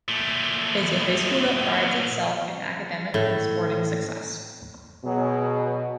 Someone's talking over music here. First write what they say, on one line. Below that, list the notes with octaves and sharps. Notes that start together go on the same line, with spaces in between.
It is a high school that prides itself in Academic and Sporting success.
A#2 A3
A2
B2 F#3 G#4